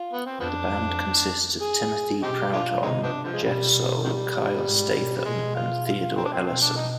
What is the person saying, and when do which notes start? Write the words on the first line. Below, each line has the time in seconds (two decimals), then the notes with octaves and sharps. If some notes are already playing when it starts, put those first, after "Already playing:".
The band consists of Timothy Prudhomme, Geoff Soule, Kyle Statham, and Theodore Ellison.
Already playing: F4
0.13 B3
0.26 C4
0.40 F2 F3 B3 D4
1.61 G#4
2.22 B2 C4 D#4 G4
2.52 G#3 D4 F4
2.82 C3 G#3 C4 D#4
3.03 F3 B3 D4
3.24 D3 F3
3.33 G#3
3.43 B2 G3
4.04 C3 D#3 G3
4.65 G#2
4.94 B2
5.17 G3
5.25 B2 G#3
5.56 F4
5.86 F4
6.16 C4
6.25 D4
6.33 C4
6.46 B2 C4
6.62 D4
6.76 D#4